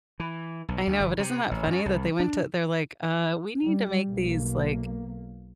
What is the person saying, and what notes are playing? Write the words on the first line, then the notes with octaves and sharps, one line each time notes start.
I know, but isn't that funny that they went to they're like, "Uh, we need to make these, like,
E3
B1
D2
G1
C3
A1
F#2
C2
D4
G3
B1 A#3